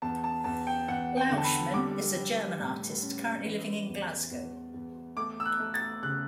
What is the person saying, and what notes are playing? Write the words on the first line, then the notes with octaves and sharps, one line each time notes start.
Lauschman is a German artist currently living in Glasgow.
E2 A5
A5
E2 A5
G5
E2 F#5
G5
D3
A5
B5
G3 D6
G3
A2
C#4
E3
E2
E2
E2
A3 D6
E6
F#6
A3
A6
C#3 F#6